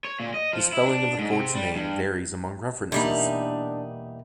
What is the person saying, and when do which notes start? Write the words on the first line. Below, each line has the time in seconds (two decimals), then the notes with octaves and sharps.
The spelling of the fort's name varies among references.
0.05 C#5
0.20 A#2
0.34 D#5
0.53 F3
0.73 E4
0.85 D4
1.19 G#2
1.32 C3
1.55 G3
1.76 G2
2.92 E2 B2 G3 A#3 D4 D#4